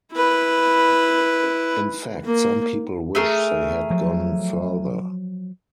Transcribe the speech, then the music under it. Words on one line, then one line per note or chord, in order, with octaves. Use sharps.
In fact some people wish they had gone further..
E4 B4
A#3
A3 G#4 A#4
F3 F#3